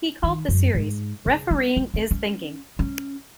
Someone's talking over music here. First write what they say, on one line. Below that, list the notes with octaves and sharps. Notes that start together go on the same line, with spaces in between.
He called the series, Refereeing is thinking.
D#3
F#2
G#2
C#3
C4
C4
C4
C#4
C#4